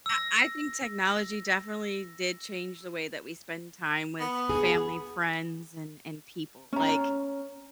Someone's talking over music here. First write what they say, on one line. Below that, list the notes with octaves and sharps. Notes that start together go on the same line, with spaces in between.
I I think technology definitely did change the way that we spend time with family, friends, and and people, like,
E6 A#6
B3
G#4
C#4 A#5